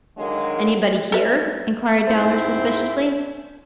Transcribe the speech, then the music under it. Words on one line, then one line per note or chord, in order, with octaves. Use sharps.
'Anybody here?' inquired Dowler suspiciously.
D3 D#3 F#3 G#3 A#3
A4 B4 E5
G#2 C4 E4 C5